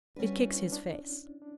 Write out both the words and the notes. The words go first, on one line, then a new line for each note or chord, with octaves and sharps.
It kicks his face.
G3 C#4 D4 F#4 B4
D4
E4
D4
C#4
D4